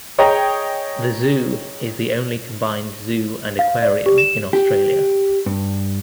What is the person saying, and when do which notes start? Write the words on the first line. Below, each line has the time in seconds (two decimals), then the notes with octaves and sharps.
The Zoo is the only combined zoo and aquarium in Australia.
0.18 G#4 C#5 D#5 G5 A#5
3.59 F5
3.82 D5
4.06 G4
4.18 E7
4.53 G4
5.46 G2